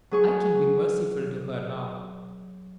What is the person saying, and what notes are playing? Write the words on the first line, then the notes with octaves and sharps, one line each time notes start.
"I can be merciful to her now."
F#3 G#4 C#6